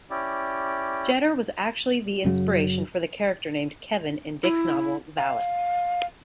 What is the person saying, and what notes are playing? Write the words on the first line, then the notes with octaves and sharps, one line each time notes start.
Jeter was actually the inspiration for the character named "Kevin" in Dick's novel, "Valis".
C#4 E4 G4 D5
F#2 C#3 F#3
E4
F5